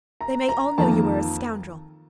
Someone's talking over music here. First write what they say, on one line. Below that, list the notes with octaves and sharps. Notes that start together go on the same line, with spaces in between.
They may all know you are a scoundrel!
A#5
A#5
F2 D#3 A#3 A5